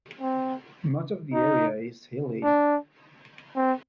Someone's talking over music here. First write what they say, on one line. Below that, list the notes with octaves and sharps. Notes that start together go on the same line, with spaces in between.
Much of the area is hilly.
C4
D#4
D4
C4